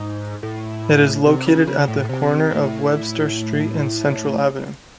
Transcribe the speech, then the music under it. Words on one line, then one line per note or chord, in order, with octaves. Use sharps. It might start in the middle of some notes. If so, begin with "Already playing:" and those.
It is located at the corner of Webster Street and Central Avenue.
Already playing: G#2
A2
C3
C#3
C#3
A2
C3
A2